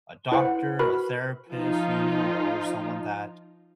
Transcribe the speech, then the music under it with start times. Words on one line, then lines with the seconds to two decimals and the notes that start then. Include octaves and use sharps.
a doctor, a therapist, you know, o or someone that,
0.32 E4 B4 C5 F#5
0.79 F#4 A#4 B4 B5
1.52 F3 D#4 F4